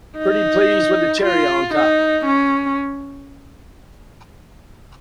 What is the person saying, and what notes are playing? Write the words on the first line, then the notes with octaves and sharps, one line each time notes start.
Pretty please with a cherry on top!
D#4
F4
D#4
C#4